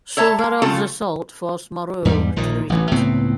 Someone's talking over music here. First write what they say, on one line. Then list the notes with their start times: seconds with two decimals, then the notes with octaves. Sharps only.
Suvarov's assault forced Moreau to retreat.
0.17 A4 C#5 E5 A5 A#5
0.38 G#3
0.62 C#3 A3 C4 F4 A4
2.05 E2 G#2 F#3 G3
2.36 A#1 A#2 D#3
2.70 A1 E3
2.91 C#2 A2 B3 C4